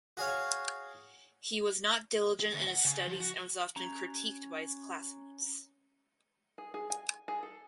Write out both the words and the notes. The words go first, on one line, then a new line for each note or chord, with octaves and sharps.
He was not diligent in his studies and was often critiqued by his classmates.
F#4 G#4 C#5 F5
G#4
D2
F#5
C#3
F3
F#4
C#4 A#5
G#4
G#4
G#5
G#4
A4